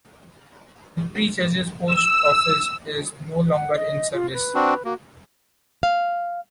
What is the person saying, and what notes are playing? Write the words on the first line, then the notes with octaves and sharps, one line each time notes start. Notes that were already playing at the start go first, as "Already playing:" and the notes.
The Three Churches Post Office is no longer in service.
E6
F#5
D#5
F4
B4
C4 D4 F#4
A#3 F#4
F5